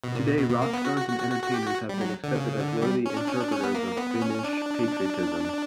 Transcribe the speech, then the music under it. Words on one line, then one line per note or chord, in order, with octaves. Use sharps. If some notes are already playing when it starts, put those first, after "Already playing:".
Today, rock stars and entertainers have been accepted as worthy interpreters of Finnish patriotism.
B2
A#2
B2
B2
B2
A#3
B3
F#4
F#4
F#4
F#4
F#4
F#4
G4
F#4
G3
F#3
D3
C#3
D3
G3
C#4
D4
C#4
D4
C#4
B3
A#3
B3
C#4
D4